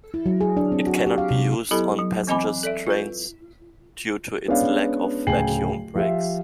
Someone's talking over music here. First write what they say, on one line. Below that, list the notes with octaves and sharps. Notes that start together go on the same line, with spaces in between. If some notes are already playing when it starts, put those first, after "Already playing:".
It cannot be used on passenger trains due to its lack of vacuum brakes.
E4
F#3
G#4
D4
C4
F#4
G4
F5
C3
F#3 B3 E4 G4 A4 B5
F#3
E3 C4 D#5 G#5 B5 D6
A4 D5 E5
F4 B4
G#3 B3 C#4 D4 D5 F5
D1 C#3 G5 G#5 C7 F#7
F3 F4 G4 E5